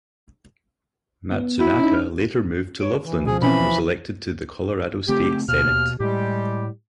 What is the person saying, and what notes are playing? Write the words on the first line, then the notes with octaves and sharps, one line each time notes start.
Matsunaka later moved to Loveland and was elected to the Colorado State Senate.
B3
E4 F#4
C#4 D#4
F6
C#5 D7
E3
B2 F3 G#4
B2 E3 C4 C#4 B5
C#3 A3 C4 G4
D#2 B2 F6
A2 G3 G#3 G4